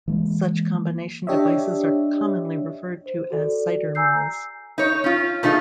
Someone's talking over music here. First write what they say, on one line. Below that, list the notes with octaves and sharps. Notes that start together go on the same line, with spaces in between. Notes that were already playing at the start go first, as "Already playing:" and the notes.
Such combination devices are commonly referred to as cider mills.
E3 G#3 A#3
D4 G4 C#5 D#5 E5
C5
F#4 A4 D5
G#5 A#5 E6 G6 C7
D#4 C#5
C#4 F4
B2 A3 D#4 F4 G#4